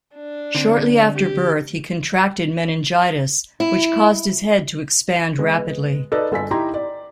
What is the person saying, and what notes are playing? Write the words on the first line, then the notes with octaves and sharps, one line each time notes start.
Shortly after birth he contracted meningitis, which caused his head to expand rapidly.
D4
D3 C4
G4
E4
G#3 B3
D#4 A4 B4 D5 D#5
G1 A4 G#5 B6
D#4 E4 G4 D#5 A#5 C6
D5